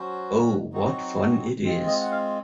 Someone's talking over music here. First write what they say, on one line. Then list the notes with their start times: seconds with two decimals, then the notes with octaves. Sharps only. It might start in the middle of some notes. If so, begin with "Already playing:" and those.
Oh, what fun it is!
Already playing: F#3 C#4 F#4 C5
0.72 F#3 C4 D#4 F#4
1.64 G#3 C4 F4
1.87 D#5
2.00 F#5
2.11 F5